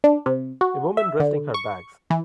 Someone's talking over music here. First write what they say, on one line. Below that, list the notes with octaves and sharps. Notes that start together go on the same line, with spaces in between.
A woman resting her bags.
D4
C3
F#4
E5
D3
C#6
E3